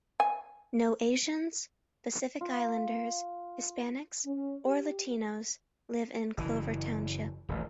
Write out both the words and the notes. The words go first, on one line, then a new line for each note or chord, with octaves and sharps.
No Asians, Pacific Islanders, Hispanics or Latinos live in Clover Township.
G#5
F4
C#4
G4
F#1 E3
D#1 A1